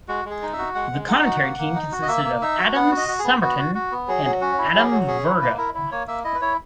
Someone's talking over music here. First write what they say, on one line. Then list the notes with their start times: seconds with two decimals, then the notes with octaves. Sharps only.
The commentary team consisted of Adam Summerton and Adam Virgo.
0.09 G#3 F#4
0.25 G#3
0.30 G#4
0.42 D#4
0.53 E5
0.58 F#4
0.75 G#3 F#5
0.92 G#3
1.08 D#4 F#5
1.25 F#4
1.41 A#3
1.58 A#3
1.75 D#4
1.92 F#4
2.02 D#5
2.08 A#3 E5
2.25 A#3
2.42 D#4 E5
2.58 F#4
2.75 B3 F#5
2.91 F#4
2.97 D#5
3.08 F#4
3.19 G#4
3.24 B3
3.41 B3 F#4
3.58 F#4
3.75 F#4
3.92 B3
4.08 F#3 G#4
4.25 F#3
4.41 C#4 F#4
4.58 E4
4.74 F#3 G#4
4.91 F#3
5.08 C#4 G#4
5.25 E4
5.41 A#3 B4
5.58 E4 A#4
5.74 E4
5.91 A#3 C#5
6.07 A#3 E5
6.24 E4 D#5
6.35 B4
6.41 E4 C#5